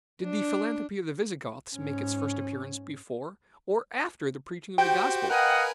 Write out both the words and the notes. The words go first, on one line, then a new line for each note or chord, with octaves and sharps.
Did the philanthropy of the Visigoths make its first appearance before or after the preaching of the Gospel?
D4
G#2 C#4
F#4 G4 C5 G5
A#4 B4 D#5 F5 F#5 G#5